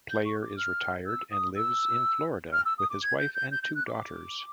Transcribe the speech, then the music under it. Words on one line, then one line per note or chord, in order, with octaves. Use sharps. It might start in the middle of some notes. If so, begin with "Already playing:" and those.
Player is retired and lives in Florida with his wife and two daughters.
G6
C#6
D6
F6
E6
D#6
E6
F6
E6
D#6
D6
G#6
G6
G6
G6
G6
F#6
D6